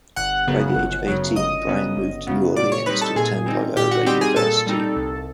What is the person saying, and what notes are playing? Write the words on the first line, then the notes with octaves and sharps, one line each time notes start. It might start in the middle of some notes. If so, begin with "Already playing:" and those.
By the age of eighteen, Brian moved to New Orleans to attend Loyola University.
G1 F#5 F#6
F#2 C#3 F#3 B3
G1
F#2 C#3 F#3 B3
G1 D#5 D#6
F#2 C#3 F#3 B3
G1
F#2 C#3 F#3 B3
A#2 D5 D6
C#5 C#6
G3 C4 D#4 B4 B5
A4 A5
A#2 G#4 G#5
G3 C4 D#4
A#2 G4 G5
F#4 F#5
G3 C4 D#4 G4 G5
G#4 G#5
A#2 A4 A5
G3 C4 D#4
C2